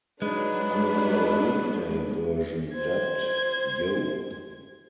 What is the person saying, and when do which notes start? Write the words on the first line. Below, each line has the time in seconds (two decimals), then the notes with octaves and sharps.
On the weekday version dubbed, Yo!
0.22 F#3 G#3 D4 D#4 B4
2.74 C5 G#6